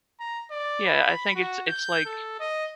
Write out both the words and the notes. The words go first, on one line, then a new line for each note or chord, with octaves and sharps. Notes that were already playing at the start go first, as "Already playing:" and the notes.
Yeah, I think it's it's like,
A#5
D5
B5
F#4
G6
A4
D#5